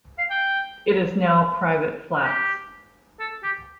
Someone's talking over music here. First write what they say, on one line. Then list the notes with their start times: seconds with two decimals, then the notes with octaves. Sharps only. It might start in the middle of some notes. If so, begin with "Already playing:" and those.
It is now private flats.
0.18 F5
0.30 G5
2.23 G4
3.20 A4
3.44 G4